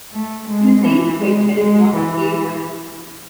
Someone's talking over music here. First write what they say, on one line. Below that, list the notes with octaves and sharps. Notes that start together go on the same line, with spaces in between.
She was seized by Sheriff John A. Vann.
A3
G#3
E3
G#3
G#3
E3